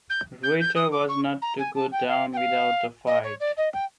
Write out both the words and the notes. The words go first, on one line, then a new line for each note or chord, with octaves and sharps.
Reuter was not to go down without a fight.
G6
G6
G6
D#6
D6
C#6
A#5
G#5
A5
G5
F5
G5
F5
D#5
C#5
D5
D#5
G5